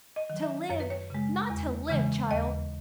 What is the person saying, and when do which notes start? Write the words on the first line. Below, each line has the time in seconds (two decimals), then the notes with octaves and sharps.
"To live--not to live, child!"
0.16 D#5
0.30 D#3 F#3
0.43 E5
0.70 F#2 C#5
0.80 B4
0.90 C#5
1.10 C#3 G#3
1.50 E2
1.90 C#3 E3 G#3
2.31 D#2 D#5